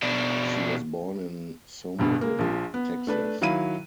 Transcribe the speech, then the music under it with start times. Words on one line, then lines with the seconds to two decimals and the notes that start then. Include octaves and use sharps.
She was born in Somerville, Texas.
0.03 B2 D4
1.99 A#1 G2 B2 D3
2.21 G#3 A#3
2.39 A#1 F3
2.74 B3
3.07 A3 D4 B4
3.41 D#3 F#3 E4 F5 B5 D#7